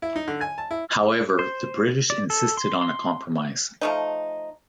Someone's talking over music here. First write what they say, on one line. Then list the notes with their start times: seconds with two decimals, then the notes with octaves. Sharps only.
However, the British insisted on a compromise.
0.02 E4
0.16 D#4
0.28 D3
0.41 G#5
0.58 A5
0.71 E4
1.39 C5
2.10 D5
2.30 A4
2.57 C6
2.81 C6
3.81 F3 A3 D#4